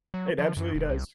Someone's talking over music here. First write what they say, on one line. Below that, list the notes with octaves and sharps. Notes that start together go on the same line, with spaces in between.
It absolutely does.
F#3
F3
F#2
E1
C2